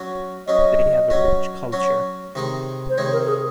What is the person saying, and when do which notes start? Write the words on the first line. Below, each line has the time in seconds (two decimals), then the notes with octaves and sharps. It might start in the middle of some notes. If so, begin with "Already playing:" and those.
They have a rich culture.
Already playing: F#3 C#4 F#4
0.47 F#3 C#4 F#4 D#5
1.10 F#3 C#4 F#4
1.72 F#3 C#4 F#4
2.35 C3 D#3 G#3 D#4
2.89 C5
2.98 C3 D#3 G#3 D#4 C#5
3.13 A#4
3.24 A#4
3.28 G#4